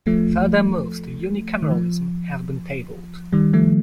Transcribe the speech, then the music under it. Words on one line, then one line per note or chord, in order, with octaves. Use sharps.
Further moves to unicameralism have been tabled.
F3 A3
D#3
F3
D#3 G3
F3 A3